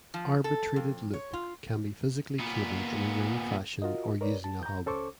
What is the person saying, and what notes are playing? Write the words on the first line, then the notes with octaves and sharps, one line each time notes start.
Arbitrated loop can be physically cabled in a ring fashion or using a hub.
F3
A4
F2
C#5
F4
A#2 B3
F4 F#4 A#4 D#5
A#4 B4 C#5 D5
A5
A#5 G6
C#2 C#4 A4 C5 C#6 D6